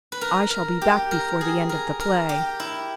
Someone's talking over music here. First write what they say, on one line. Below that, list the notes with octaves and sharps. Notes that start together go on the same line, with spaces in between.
I shall be back before the end of the play.
B4
A#4
A#4
G4
A#4
G#4
A#4
A#4
G4
E4